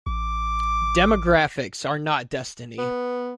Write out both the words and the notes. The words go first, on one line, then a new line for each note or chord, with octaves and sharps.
Demographics are not destiny.
A1 D6
B3